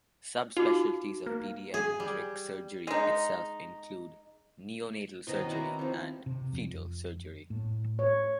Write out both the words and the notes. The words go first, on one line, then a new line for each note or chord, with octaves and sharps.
Subspecialties of pediatric surgery itself include: neonatal surgery and fetal surgery.
D#4 F4 F#4 D6
A#3
G#4
G3
G#3 D#4
B2 D#3 C#4 E4 F#4 A#4 C5
C4 E4 F#4 D5 A#5
D#3 F3
C3
F2
A2
C#5